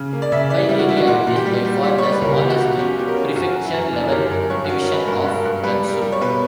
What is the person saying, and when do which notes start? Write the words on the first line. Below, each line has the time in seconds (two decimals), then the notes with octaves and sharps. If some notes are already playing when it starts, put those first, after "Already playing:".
By area, it is by far the smallest prefecture-level division of Gansu.
Already playing: C#3
0.13 A#3
0.22 D5
0.32 C#3 E5
0.50 E3 D5
0.69 G3
0.79 F#4
0.88 G3 E4
0.97 F#4
1.07 A#2 F#4
1.27 A#2
1.36 G4
1.46 G3
1.65 G3
1.84 G3
1.98 G3 C#5
2.12 B4
2.21 C#2 A#4
2.37 B2 G4
2.50 F#4
2.60 B2
2.79 C#4 G4
2.98 B2 G4
3.08 A#4
3.17 C#4
3.36 F#2 F#4
3.53 F#2 F#4
3.65 E4
3.74 F#2
3.93 D3
4.05 A#4
4.12 F#2 G4
4.31 F#2 A#4
4.50 G2 C#5
4.64 F#4
4.69 C#4
4.79 A#4
4.88 C#4 B4
5.07 G2 A#4
5.26 G2
5.35 A#4
5.45 G2
5.64 G3 B4
5.84 G3
5.93 A#4
6.02 G3
6.12 C#5
6.21 B2 B4